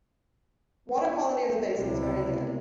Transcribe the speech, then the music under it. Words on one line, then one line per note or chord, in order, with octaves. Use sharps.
Water quality of the basin is very good.
C#2 C3 B3 E4